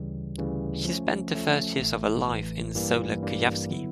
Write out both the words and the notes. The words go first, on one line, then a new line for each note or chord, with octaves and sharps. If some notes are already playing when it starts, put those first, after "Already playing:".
She spent the first years of her life in Solec Kujawski.
Already playing: D2 C#3 E3 G3
D2 C#3 E3 G3
F3 A3 C#4
F3 A3 C#4
A1 A2 E3 A3
A1 A2 E3 A3
G2 E3 G3 A#3
G2 E3 G3 A#3
D3 F#3 B3 E4